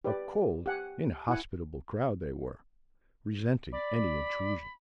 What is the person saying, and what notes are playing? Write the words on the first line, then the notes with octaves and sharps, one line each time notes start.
A cold, inhospitable crowd they were, resenting any intrusion.
G4 B4 D5
G4 F#5 G#5
E4 F#5 G#5
D5 B5